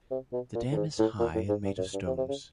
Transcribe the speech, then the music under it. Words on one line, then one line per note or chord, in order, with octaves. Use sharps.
The dam is high and made of stones.
C3
B2
A#2
A2
G#2
A2
A#2
A2
G#2
G2
F#2
G2
C3
C3
C#3